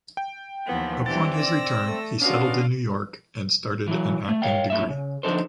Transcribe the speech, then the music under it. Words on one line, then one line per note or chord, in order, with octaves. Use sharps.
Upon his return he settled in New York and started an acting degree.
G5
D#2 E3 F3 B3 B4
E3 C4 D4 G4 A6
D5 E6 A#6
A3
B3 C#4 D4 F4 F#4 F5
E3 F#3
A3
C#5 F5 G5
B1 A2 E5
C#3
D3 F3 D4 D#4 A4 C5